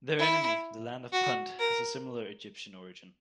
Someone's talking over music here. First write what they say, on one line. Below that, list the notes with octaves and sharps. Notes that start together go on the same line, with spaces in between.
Their enemy, the Land of Punt, has a similar Egyptian origin.
E4
F#4
A#4